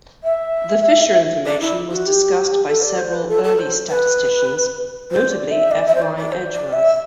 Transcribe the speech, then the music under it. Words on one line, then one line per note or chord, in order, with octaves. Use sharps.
The Fisher information was discussed by several early statisticians, notably F. Y. Edgeworth.
E5
D5
E4
F#4
G4
A4
D5
C5
B4
A4
A4
C5
B4
C5
D5
E5
D5
E5
C5
D5
D5
C5
D5
E5